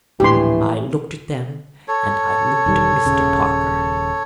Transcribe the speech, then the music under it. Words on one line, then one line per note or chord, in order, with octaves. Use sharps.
I looked at them and I looked at Mr. Parker.
D1 A#1 A2 E3 D4 G4 C6
A4 C#5
E1 D#3 G3
D#1 C#3